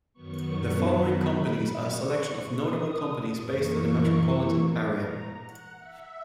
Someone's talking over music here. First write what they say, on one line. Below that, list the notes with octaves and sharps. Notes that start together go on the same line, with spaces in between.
The following companies are a selection of notable companies based in the metropolitan area.
F#2 D#3 F#3 B3 C#6
B5
C#6
D#6
F#2 E3 A#3 C#6
A#5
F#5
E5